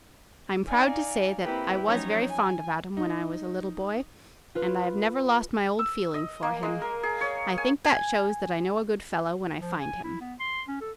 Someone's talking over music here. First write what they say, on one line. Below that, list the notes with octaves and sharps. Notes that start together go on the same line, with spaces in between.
I'm proud to say that I was very fond of Adam when I was a little boy, and I have never lost my old feeling for him--I think that shows that I know a good fellow when I find him.
D#4 D5 F5 G#5
A#3 C4 E4 G4 B4
F3 F#3 C#4 D#4 C#5
G#5
D#4
F4 B4
E6
D#5
A#3
G#3
A#4
G#4
C#5
G#5
G#5
F3
G#5
E4
B3
C6
C#4
A4